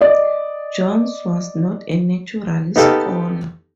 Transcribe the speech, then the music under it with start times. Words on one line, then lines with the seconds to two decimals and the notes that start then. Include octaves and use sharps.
Johns was not a natural scholar.
0.01 D5 D#5
2.76 B3 D#4 G4 A4 F5